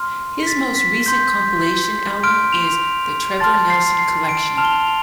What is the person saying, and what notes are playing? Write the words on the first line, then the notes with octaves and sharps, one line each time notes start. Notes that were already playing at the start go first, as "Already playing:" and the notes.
His most recent compilation album is "The Trevor Nelson Collection".
Already playing: C6 F6
B6
A6
B6
C6 G6
C6 F6 D7
F7
A5 C6 F6 A6
C7
C7
D7
A5 C6 F6 F7
G7
F7
F7